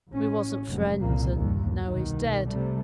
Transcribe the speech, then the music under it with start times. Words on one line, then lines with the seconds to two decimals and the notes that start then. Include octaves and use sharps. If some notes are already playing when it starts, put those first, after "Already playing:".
We wasn't friends; and now he's dead.'
0.10 A1 C#4
0.69 F1 F#2 C3
1.01 C2 F2 A#2 C#3 A#3
1.32 G1 D#2
1.86 C2 B2 D#3
2.48 C3 G3 A3